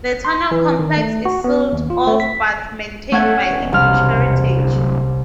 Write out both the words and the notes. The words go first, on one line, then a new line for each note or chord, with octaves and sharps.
The tunnel complex is sealed off but maintained by English Heritage.
C6
E3
D#3
A3
F#4
B3
D#2
F4
A3
B6
A3 C#4 F#5 G#6
E1
C2 F6
D1